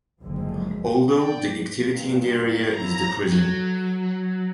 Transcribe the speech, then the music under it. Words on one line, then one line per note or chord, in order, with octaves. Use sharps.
Although the activity in the area is decreasing.
F#1 D2 D3 F3 G#3
D5 G5
G2 A#2
F3 F#3 E4 A#5
F#3